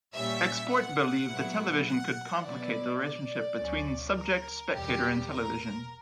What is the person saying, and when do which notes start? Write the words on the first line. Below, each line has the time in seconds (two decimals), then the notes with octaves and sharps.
Export believed the television could complicate the relationship between subject, spectator, and television.
0.14 A#2 G3 C#4 E5
0.71 F#5
1.28 A#2 F#3 B3 E4
1.87 F#5
2.43 B2 F#3 B3 E4 D5
3.01 D5
3.58 D2 C#3 F#3 C#4
4.15 A#4
4.72 E2 B2 G3 G4
5.30 A#4